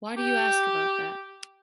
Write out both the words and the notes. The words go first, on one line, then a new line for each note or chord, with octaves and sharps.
Why do you ask about that?
G4